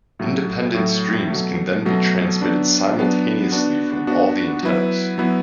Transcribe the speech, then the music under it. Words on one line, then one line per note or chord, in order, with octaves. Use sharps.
Independent streams can then be transmitted simultaneously from all the antennas.
A2 F#3 A3
A2 F#3 A3
B2 F#3 A3
B2 F#3 A3
F#3 B3 D4
F#3 B3 D4
B3 D4 F#4
B3 D4 F#4
F#3 B3 E4 B4
F#3 B3 E4 B4